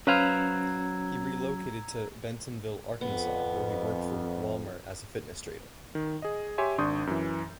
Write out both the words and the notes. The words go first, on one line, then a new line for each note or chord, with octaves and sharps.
He relocated to Bentonville, Arkansas, where he worked for Wal-Mart as a fitness trainer.
F#3 C#4 B4 C5 F5 A#5 E6 G#6
F2 B3
D#3
G#4 D#5
G4 C#5 E5 G#5 C6
G#1 D4 C6 C#6 D#6 G6
F#2 E3